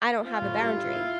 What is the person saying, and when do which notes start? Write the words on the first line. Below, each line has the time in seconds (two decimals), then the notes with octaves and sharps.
I don't have a boundary.
0.24 C4 F4
0.42 A2
0.59 G3
0.76 E4
0.94 E4